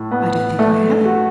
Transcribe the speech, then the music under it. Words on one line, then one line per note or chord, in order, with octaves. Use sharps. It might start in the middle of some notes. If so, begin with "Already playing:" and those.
I don't think I have.
Already playing: A2
B3
A3
F#4